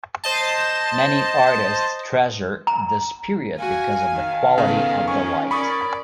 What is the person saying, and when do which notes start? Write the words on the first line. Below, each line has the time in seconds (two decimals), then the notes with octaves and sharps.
Many artists treasure this period because of the quality of the light.
0.24 C5 D#5 A5
2.67 A#5
3.59 F#4 F5 G#5
4.13 D#3
4.58 C#3 B3 G#4 A4
5.08 C#4 F4 G#5 C#6
5.51 C#4 A#4 D5 B5 C#6 D#6